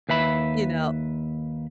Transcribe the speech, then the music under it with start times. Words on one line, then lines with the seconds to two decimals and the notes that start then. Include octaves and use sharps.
you know
0.09 D#2 B4 E5 B5